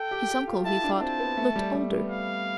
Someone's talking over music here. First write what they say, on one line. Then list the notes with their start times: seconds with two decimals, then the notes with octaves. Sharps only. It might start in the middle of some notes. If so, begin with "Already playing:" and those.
His uncle, he thought, looked older.
Already playing: A4 G5
0.11 G4
0.29 G4
0.47 F4
0.65 E4 A5
0.84 D4
1.01 C4 A5
1.19 B3
1.37 A3
1.56 G3
1.74 G3
1.92 B3
2.10 F5